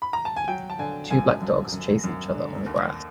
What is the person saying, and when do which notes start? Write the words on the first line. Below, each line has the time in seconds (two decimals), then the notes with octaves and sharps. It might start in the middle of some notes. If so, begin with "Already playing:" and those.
Two black dogs chase each other on grass.
0.02 B5
0.13 A#5
0.25 A5
0.36 G#5
0.48 F#3 G5
0.70 A5
0.79 D3 G#5
1.10 F#2 G#5
1.42 F#2
1.72 F#2
2.04 F#2
2.35 D3
2.66 D#2